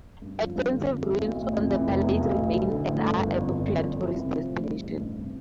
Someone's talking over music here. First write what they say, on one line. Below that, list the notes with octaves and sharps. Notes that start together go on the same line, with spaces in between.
Extensive ruins of the palace remain, and are a popular tourist destination.
G2
F3
G2
D3
F2
E3
B1
A2
F2
E3
F1
E2
B1
A2
D2
D3
A1
G2
G1
F2
G1
F2
F2
E3
C3
F3
A2
G3
A1
G2
C3